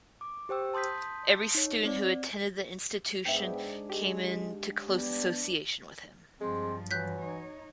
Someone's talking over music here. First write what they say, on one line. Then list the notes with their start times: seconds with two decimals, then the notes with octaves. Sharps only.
Every student who attended the institution came into close association with him.
0.21 D6
0.49 G4 C5 G5 E6
0.74 A5 C6 D#6 G6 B6
1.55 D#4 C#5
1.85 C4 D5
3.25 G#2 B3 D4 G#4 E5 G5
3.90 G#3 G4
4.89 E3 G3 B3 D4
6.40 G2 F3 G#3 C4
6.91 E3 F#3 F#6 G6 B6
7.21 D#4 C#5